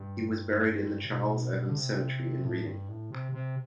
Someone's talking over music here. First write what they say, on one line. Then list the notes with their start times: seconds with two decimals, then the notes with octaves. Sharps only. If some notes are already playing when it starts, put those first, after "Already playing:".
He was buried in the Charles Evans Cemetery in Reading.
Already playing: G2
1.05 C3
1.11 B2
1.69 D3
1.78 C3
2.44 A2
2.66 G2
2.89 A2
3.11 C3
3.32 C3